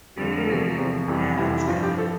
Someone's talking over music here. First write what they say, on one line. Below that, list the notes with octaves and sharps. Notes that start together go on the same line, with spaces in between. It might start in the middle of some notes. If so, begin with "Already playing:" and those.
Mm. Yeah, that's good.
F2 D3 F3
A#4
E2 C3 F3 A4
E2 C3 F3
F2 C3 E3 G3
F2 C3 E3 G3 E4
E4
E4
G2 F3 F4
G4
F3 A4